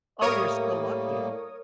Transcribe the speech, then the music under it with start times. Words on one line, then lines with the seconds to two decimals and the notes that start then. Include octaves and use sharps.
Oh, you're so lucky.
0.21 A2 G3 A#3 A#4 C#5 D#6